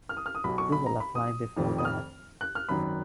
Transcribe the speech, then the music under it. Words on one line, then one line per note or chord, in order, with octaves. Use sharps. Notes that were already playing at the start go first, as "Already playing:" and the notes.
You will apply before that.
F6
D#6
F6
D#6
B1 B2 B5
C#6
B5
A#5
B5
D#6
F1 F2 D#3
D#6
F6
F#6
F6
G#1 F#2 D#3 B5